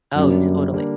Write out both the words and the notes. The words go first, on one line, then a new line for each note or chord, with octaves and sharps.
Oh, totally.
F#2 D3 G3 A#3 D4
D3 G3 A#3 D4